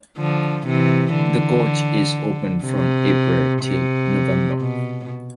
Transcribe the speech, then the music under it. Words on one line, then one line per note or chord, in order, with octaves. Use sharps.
The gorge is open from April till November.
D3 F3
C3 E3
D3
C3
C3
B2